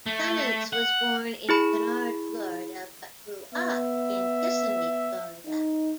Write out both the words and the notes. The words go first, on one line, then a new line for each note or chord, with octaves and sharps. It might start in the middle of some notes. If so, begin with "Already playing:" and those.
Clements was born in Kinard, Florida, but grew up in Kissimmee, Florida.
A3
F#5
E4 G#4 B5
B3 E5
D#4